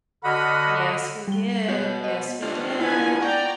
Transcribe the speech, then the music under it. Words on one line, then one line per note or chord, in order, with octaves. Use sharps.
Yes, we did. Yes, we did.
D3 F#4 D#5 F#5 B5 F6
G3 G7
B3 F#4 C#5 F#6 G6
C5 D#5
D4 F4 G4
B3 E4 G#5 A5
D5 F#5 G5 A#5 C#6 G6